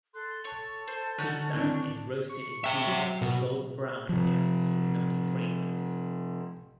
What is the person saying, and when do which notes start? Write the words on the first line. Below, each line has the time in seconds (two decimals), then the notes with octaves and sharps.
Besan is roasted in ghee till golden brown appearance with nutty fragrance.
0.13 A4 C6 F#6
0.44 A4 C#5 A5 C#6
0.88 C5
1.19 D3 C#4 D#4 F#4
1.54 D#3 C4 D4 E4
2.29 C#6
2.64 E5 G5
2.87 F#3
3.22 B2
4.09 C3 F3